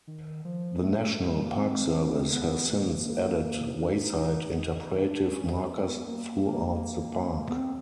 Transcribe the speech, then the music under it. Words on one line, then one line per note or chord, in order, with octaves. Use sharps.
The National Park Service has since added wayside interpretive markers throughout the park.
D#3
F3
A3
G#3
F#3
G3
A#3
C4
B3
A#3
D4
D#4
D#4
D#4
D4
C#4
C#4
C4
B3
C4
B3
A#3
A#3
B3
C4